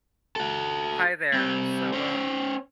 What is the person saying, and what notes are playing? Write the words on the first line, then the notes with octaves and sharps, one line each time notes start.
Hi there. So, um,
F#4 A4
G3 C4
C#4 C5